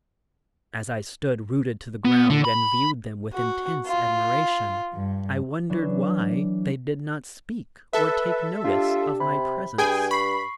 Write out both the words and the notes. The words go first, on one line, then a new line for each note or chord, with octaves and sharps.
As I stood rooted to the ground and viewed them with intense admiration, I wondered why they did not speak or take notice of my presence.
B3
D3
B5
F#4
F4
G2
E3 F#3 D4
A4 B4 E5
D4 F4 G4
C3 B5
G2 G#4 G5 G#5
B5 C#6 C7